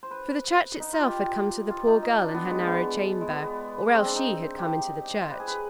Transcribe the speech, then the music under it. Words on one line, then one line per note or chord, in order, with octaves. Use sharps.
For the church itself had come to the poor girl in her narrow chamber, or else she had come into the church.
C5
B4
D#4
F4
G4
F4
D#4
D#4
D4
B3
G#3
B3
G#3
B3
C4
D4
D#4
G4
C5
B4
G#4
B4